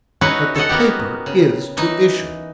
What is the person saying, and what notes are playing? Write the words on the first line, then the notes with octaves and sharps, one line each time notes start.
But the paper is to issue.'
C#4 D#4 E4 F#4 B4 C#5
A4 C#5 D#5 F#5
A#3 B3 F#4 G4
C#3
E3 D#4